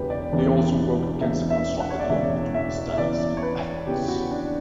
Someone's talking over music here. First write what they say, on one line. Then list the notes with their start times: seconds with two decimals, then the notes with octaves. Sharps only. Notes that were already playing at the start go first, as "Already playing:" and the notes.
They also work against the constructed link between aesthetics and ethics.
Already playing: E1 E2 C#3 E3 G4 B4
0.10 D5
0.32 E1 E2 C#3 E3
1.21 E1 E2 C#3 E3 E5
1.50 E5
1.80 F#5
1.90 C#5
2.00 D5
2.10 E1 E2 C#3 E3 E5
2.54 E5
2.93 E5
2.98 E2 C#3 E3 D5
3.37 C#5
3.42 B4
3.87 E2 C#3 E3 G4
4.08 F#4
4.31 D4